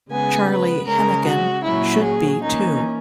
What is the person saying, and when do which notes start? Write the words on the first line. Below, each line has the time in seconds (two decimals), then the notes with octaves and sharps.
Charlie Hennigan should be, too.
0.11 C#3 G#3 B3 G#5
0.49 B4
0.87 C#3 G#3 C#4 A#4
1.26 F#4
1.64 A#2 F#3 C#4 E4
2.03 G#4
2.41 E3 A#3 C#4 D#4